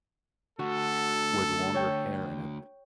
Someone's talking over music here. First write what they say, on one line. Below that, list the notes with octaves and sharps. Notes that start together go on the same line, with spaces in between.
with longer hair and a p
D2 F#4 A4
C#5 G5